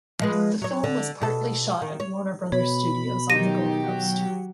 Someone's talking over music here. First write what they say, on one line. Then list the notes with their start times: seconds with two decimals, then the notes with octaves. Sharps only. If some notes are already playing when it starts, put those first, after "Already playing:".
The film was partly shot at Warner Brothers studios on the Gold Coast.
0.20 F3 G#3 B4
0.62 F#3 C#5
0.84 D3
1.22 B2 A4
1.82 D#3
2.00 C#5
2.52 B2 C#5 B5
3.30 D#3 F#3 D#4 G4 A#6 D#7
3.81 F#3 F#4